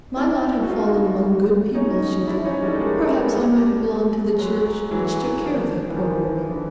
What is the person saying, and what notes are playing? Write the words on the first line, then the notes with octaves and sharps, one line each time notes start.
"If my lot had fallen among good people," she thought, "perhaps I might have belonged to the Church which took care of that poor girl."
D4 E4
F#4
D#4 F4
C#4 D#4
D4 E4
C#4 D#4
G3 A3
A3
G#3 A#3
B3
A#3
G3 A3
F#3 G#3
E3 F#3
D#3 F3
E3
D#3 F3
D3 E3